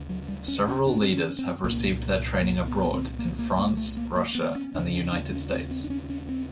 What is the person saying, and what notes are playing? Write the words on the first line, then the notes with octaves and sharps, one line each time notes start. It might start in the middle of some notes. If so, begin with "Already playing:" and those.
Several leaders have received their training abroad in France, Russia and the United States.
Already playing: D2 C#3
F#3
G3
C#4
C#4
D4
C4
C#4
C4
C2 A#2 A#3
A#3
B3
B3
C4
A#3
A#3
A#3
A3
A#3
A#3
B3
C#4
D#2 C#3 D4
C#4
D4
C#4
C4
C4
D4
C#4
C#4
C4